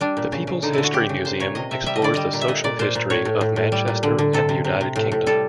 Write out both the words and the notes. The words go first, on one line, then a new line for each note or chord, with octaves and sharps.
The People's History Museum explores the social history of Manchester and the United Kingdom.
G3 D4
A#2
C#3
C#3
D3 D#4
D3 E4
F#4
C#3 G4
C#3
A#2 C5
A#2 C#5
C3 D#5
C3 E5
G3 E5
D#5
D3 D5
G3 D#5
A#2
E5
A#2 D#5
A#2 D5
A#2 C5
A#2
A2 C#5
A2
A2
A2
G3
A#2
D3
D3
C3 A4
C3
C3
C3
A2
A2
G3 A4